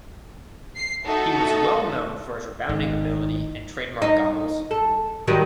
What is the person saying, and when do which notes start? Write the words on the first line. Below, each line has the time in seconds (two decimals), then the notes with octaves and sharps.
He was well known for his rebounding ability and trademark goggles.
0.76 C7
1.06 D#4 F#4 A4 E5
2.69 G#1 D#4
4.02 D#4
4.71 A4
5.27 D#3 F#3 G3